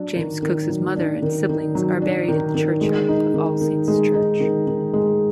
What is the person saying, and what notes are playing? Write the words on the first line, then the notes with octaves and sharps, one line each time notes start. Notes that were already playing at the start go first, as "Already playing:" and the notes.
James Cook's mother and siblings are buried in the churchyard of All Saints' Church.
Already playing: F#3 D4
D#3
D#3
F#3
D4
D#3
D#3
F#3
D4
D#3
D#3
G#3
D#4
D#3
D#3
G#3
D#4
D#3
D#3
G#3